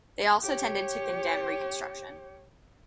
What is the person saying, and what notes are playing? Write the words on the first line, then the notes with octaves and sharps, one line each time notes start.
They also tended to condemn Reconstruction.
G4 C#5